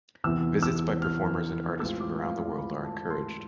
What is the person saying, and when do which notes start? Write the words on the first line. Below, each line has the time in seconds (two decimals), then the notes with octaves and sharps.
Visits by performers and artists from around the world are encouraged.
0.24 E2 C3 E3 B3 E4 E6
0.63 E6
1.02 F6
1.80 A2 G#3 C4 F4 E6
2.00 D6
2.19 F5
2.58 B5
2.84 A5
3.10 C6